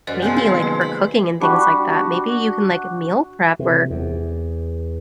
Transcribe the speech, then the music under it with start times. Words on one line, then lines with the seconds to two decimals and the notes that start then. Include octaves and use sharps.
maybe, like, for cooking and things like that, maybe you can, like, meal prep or
0.07 F#2 C5 D5 D#5
0.22 C3 F3 G#3 B3 C4
0.36 D#3 C5
0.49 F#3 A#3 D#4
0.62 B4
0.81 B5
1.40 G3 D4 F#4 G4
1.90 F#4
3.59 C3
3.90 E2